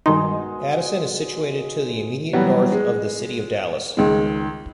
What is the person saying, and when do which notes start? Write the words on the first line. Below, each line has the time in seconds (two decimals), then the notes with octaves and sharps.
Addison is situated to the immediate north of the city of Dallas.
0.06 G2 B2 D#3 G#3 D#4 C6
2.33 E3 F#3 G3 B3
2.72 G#3
3.97 C#2 D#3 G#3